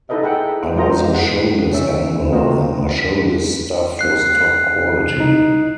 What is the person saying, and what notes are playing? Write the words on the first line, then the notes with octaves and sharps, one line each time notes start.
I was a showbiz animal, and my showbiz stuff was top quality.
D#4 E4 A4 B4 D#5 E5
G#4 E5 F#5 G5
G#3 E4 F4 C5 D#5 A#5
F#5
C#4 E5
A3 A#3 C4 F4 F#4 D#5
F#6 C7
D#4